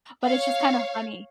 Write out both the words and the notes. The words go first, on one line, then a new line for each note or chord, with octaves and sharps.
But it's just kinda funny.
C#5 F5